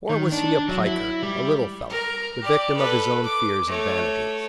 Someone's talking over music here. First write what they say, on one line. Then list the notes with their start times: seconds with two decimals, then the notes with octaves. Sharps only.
Or was he a "piker"; a little fellow, the victim of his own fears and vanities?
0.09 D#3
0.32 D4
0.68 F#3
0.86 E4
1.23 G3
1.90 A#4 A#5
2.41 G4 D5
2.76 A4 B4
3.24 D6
3.68 A3 C#5